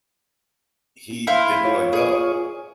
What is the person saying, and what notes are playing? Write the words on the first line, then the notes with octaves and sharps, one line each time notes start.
he didn't wanna go.
E4 C5 F5
F4 C#5
G#4